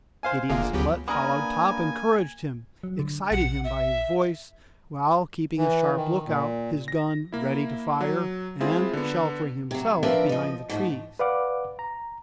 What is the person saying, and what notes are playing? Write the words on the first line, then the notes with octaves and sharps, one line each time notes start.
Gideon Spilett followed Top, encouraged him, excited him by his voice, while keeping a sharp look-out, his gun ready to fire, and sheltering himself behind the trees.
C5 F5 G#5
F1 D3 A#3 F4 G#4
D2 F#3 B3 G4
A#3 B3 D4 A#4 G#5 A#5 D#6
F#3
D3
A#1 F#5
E5
E3
D#3
A#2
A#6
A#3 E4
F#3
G#3 C4 E4 F4 G#4
D3 B3
C3 F#3
F3 C4 D4 A#4 B4 E5
F3 D#5
G#2 F3 A3
B4 D5 F5 F#5 D6
A#5